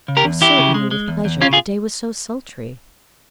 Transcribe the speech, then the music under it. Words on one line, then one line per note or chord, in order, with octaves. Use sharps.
Oh, certainly, with pleasure; the day was so sultry.
C#3
G4 A#4
E2
E3 E4 G4
C#3
G#3
G#3
E2
E2
C#3 C#4 F4
F4 G#4